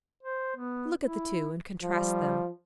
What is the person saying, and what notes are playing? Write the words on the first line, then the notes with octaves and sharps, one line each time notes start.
Look at the two, and contrast them.
C5
B3
E4
F3 G3